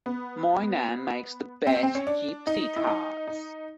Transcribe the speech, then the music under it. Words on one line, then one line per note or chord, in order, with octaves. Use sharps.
My nan makes the best Gypsy tarts.
B3
C4
C4
C#4
D4
D#4
E4
D#4
D#4